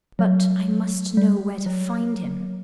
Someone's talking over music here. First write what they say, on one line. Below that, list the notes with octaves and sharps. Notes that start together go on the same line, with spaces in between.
But I must know where to find him.
F#3
G3
F#3